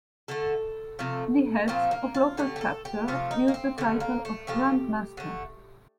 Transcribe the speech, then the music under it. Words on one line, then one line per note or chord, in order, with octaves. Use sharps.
The heads of local chapters use the title of "Grand Master".
D3 A3 A4
C3 F3 A3
A#2 F3 A3 C4
A#3
F4
D3 A3 G4
G4
A4
G4
C3 F3 A3 F4
D#4
A#3
C4
D3 G3 A3
A#3
A3
C3 F3 A3 G4
D3 A3